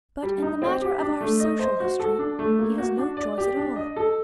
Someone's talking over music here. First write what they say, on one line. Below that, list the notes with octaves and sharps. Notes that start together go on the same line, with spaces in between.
But in the matter of our Social History he has no choice at all.
G3
D#4
C4
G4
D4
A3
D#5
C5
F#4
A4
D4
A3
A#3
F#4
D4
D5
G4
D4
D#5
A4